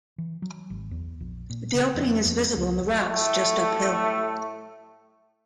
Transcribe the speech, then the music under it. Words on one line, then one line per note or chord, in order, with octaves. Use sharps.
The opening is visible in the rocks just uphill.
E3
F#3
G#1
E2
A#1
A#2
C#3
F2
F2
C#2
A2 A3